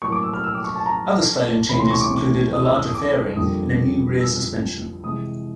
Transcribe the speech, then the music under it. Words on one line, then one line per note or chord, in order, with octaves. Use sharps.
Other styling changes included a larger fairing and a new rear suspension.
A2 F#3 A#3 C#6
D6
E6
F6
E6
D6
C#6
A5
A#5
D2 C3 E3 A3 C#4 B5
C6
C#6
D6
D6
D#6
E6
E6
D#6
D6
F2 D3 G3 A#3 D4 D#6
E6
C3 E3 G#3 D#6